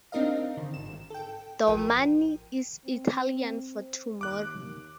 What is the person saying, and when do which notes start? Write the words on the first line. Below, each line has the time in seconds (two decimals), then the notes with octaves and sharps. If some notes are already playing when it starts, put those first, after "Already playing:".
"Domani" is Italian for "tomorrow".
0.12 C4 D4 D#4 A#4 D#5 F5
0.57 D3 D#3
0.74 G#1 E7
1.10 A4 G5
1.67 A1 F3 A#4 G5 D#7
2.86 C4
4.21 D#2 D6 F#6